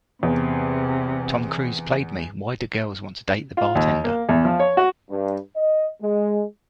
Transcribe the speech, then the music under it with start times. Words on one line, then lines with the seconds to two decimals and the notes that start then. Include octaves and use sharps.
Tom Cruise played me!...Why do girls want to date the bartender?
0.23 E2 C3
3.57 F4
3.75 D#2
4.04 A#3
4.29 E2
4.45 F3
4.60 C#5
4.77 F#4
5.10 G2
5.56 D#5
6.02 G#3